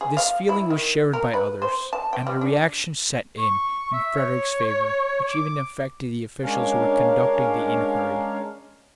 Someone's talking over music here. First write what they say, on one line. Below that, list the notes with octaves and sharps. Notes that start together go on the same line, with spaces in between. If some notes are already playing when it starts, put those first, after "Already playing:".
This feeling was shared by others, and a reaction set in in Frederick's favour, which even affected the officials who were conducting the inquiry.
G#4
F5
E4
D#3
A#4
B4
C5
A5
G5
G3
D4
C#6
E5
C#5
D6
G#3 C#4 D4 A#4 C#5 F5